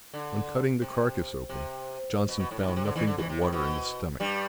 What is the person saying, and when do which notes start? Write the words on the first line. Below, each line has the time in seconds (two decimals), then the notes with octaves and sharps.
On cutting the carcase open, Johnson found nothing but water in the stomach.
0.14 D3
0.82 C3
1.49 C3
2.29 B2
2.39 B2
2.51 A2
2.59 G2
2.68 A2
2.76 C3
2.85 D3
2.96 E2 E3
3.07 D3
3.18 E2 E3
3.29 C3
3.41 A2
3.53 B2
4.20 G2 G3